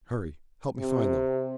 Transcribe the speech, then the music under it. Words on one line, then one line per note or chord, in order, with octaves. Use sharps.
"Hurry, help me find them."
C3